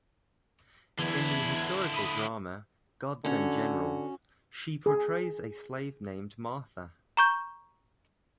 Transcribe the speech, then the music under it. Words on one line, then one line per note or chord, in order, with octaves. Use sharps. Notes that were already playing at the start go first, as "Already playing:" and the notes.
In the historical drama "Gods and Generals", she portrays a slave named Martha.
E2 D3 E4 G#6
B5 D#6
D3 C#4 F#4
G#4
A#5 C#6 G6